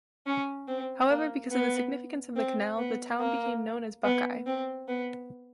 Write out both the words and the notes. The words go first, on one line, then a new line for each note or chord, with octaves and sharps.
However, because of the significance of the canal, the town became known as Buckeye.
C#4
C4
A#3
B3
C4
B3
A#3
B3
C4
B3